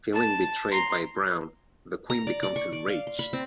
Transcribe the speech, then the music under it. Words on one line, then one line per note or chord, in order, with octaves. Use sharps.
Feeling betrayed by Brown, the Queen becomes enraged.
A5
A#5 C6
A#5
D5
D5
C#6
D5
F5
C6
B5
C4